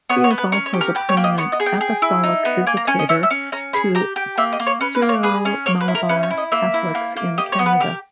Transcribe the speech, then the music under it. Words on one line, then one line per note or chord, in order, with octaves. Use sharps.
He is also the permanent Apostolic Visitator to Syro-Malabar Catholics in Canada.
B3 C#5
C#5
B3
B4
C#4 A#4
C#5
G4
A#4
G4 B4
C#5
A#3
D#5
B3 C#5
D#5
G#4
G5
G#4
E4
D#4
B3
A#3 G#5
A#5
C#4 G#5
D#5
C#4 E5
E5
C#4
C#4 A#5
G#4 B5
G4 A#5
G4 G5
A#3 E5
D#5
A#3
C#5
C#4 B4
B4
A#3
C#5
G#4 B4
C#4
A#3 C#5
B4
E4
A#4
C#4 B4
C#5
E4
D#5
A#3 E5
E4
A#3
A#3
G4 D#5
C#5
B3
B4
G4 A#4